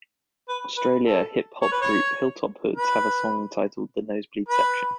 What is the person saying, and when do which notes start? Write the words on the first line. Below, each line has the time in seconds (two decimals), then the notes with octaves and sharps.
Australia hip hop group Hilltop Hoods have a song titled "The Nosebleed Section".
0.49 B4
0.77 B4
1.05 A4
1.62 C#5
1.72 B4
1.82 C#5
2.77 B4
4.49 B4